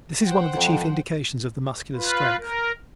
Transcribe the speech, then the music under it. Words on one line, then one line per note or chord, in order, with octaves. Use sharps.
This is one of the chief indications of the Muscular's strength.
C5 F#5 G5
F2 F3 C4
F4 B4
A#4